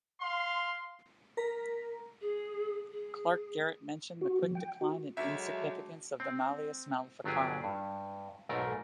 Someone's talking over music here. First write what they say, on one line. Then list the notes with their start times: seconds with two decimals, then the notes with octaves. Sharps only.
Clarke Garrett mentioned the quick decline and insignificance of the "Malleus Maleficarum".
0.20 F5 C6
1.37 A#4 A#5 B6
2.21 G#4
2.92 G#4
4.21 F#4
4.43 F3
4.55 G5
4.81 F#4
5.17 D2 F#3 G#3 D4 F#4 C#5 E5
6.20 C4
7.24 G1 F#3 D4 G4 G#4
7.64 G2
8.49 B1 G#2 A3 A#4